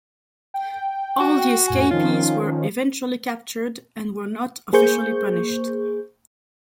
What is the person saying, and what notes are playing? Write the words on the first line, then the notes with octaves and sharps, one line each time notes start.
All the escapees were eventually captured and were not officially punished.
G5
F#4
F2 A2 G#5
D#3 F3 C#4 F4
A#3 G#4 C5 C#6 G6